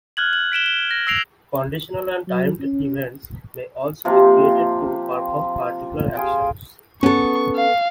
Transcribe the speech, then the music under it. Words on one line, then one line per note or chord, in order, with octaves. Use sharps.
Conditional and timed events may also be created to perform particular actions.
F6 F#6 G#6 F#7
F#7
B6 D7 E7 G7
G7
A#6
E6 F6 A#6 C7 D7 F7
F#3
C#4
C3 F3 A#3 C4
F4 G#4 G5
B3 C#4 A4 C#6
F5